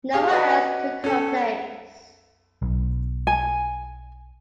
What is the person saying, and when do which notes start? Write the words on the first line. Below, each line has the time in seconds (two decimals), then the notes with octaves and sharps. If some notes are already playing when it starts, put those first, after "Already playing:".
No one else took her place.
0.13 G4 G#4 F5
0.30 F#4 B4 D5 D#5 F#5
1.04 C#4 A4
2.62 B1
3.27 G#5